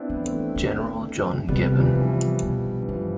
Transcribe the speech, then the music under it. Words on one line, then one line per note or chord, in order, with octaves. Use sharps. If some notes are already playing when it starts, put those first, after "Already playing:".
General John Gibbon.
Already playing: B3 C4 D4 E4
E3
B3
A3 C4
D3
C3 G3 B3
F3
E3 G3
C3
E3
F3
B2 E3
E3
G2 F3